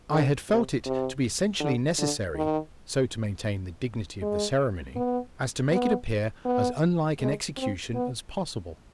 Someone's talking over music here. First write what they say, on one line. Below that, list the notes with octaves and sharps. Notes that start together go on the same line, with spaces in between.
I had felt it to be essentially necessary so to maintain the dignity of the ceremony as to make it appear as unlike an execution as possible.
D3
C3
C3
D3
D3
D#3
G#3
B3
B3
B3
G#3
C4
B3